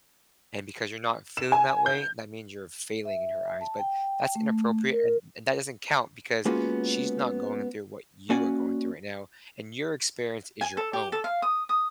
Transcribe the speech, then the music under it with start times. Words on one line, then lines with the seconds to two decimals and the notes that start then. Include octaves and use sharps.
And because you're not feeling that way, that means you're failing in her eyes. But that's inappropriate, an and that doesn't count because she's not going through what you are going through right now, and your experience is your own.
1.37 E7
1.52 G#5
1.86 G6
3.05 E5
3.61 A5
3.79 G5
4.35 A3
4.92 A#4
6.45 G#3 A#3 B3 C#4 F4 F#4
8.30 A#3 C#4 F#4 D5 G#5
10.61 G#5
10.77 A4
10.93 G4
11.12 A4
11.24 F5
11.42 D#6
11.69 D#6